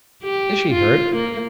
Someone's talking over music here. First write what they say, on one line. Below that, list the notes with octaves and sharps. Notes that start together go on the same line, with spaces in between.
"Is she hurt?"
G4
F4
A#3